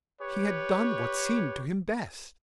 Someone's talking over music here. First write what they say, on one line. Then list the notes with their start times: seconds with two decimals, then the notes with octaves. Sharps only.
He had done what seemed to him best.
0.21 G4 B4 C#5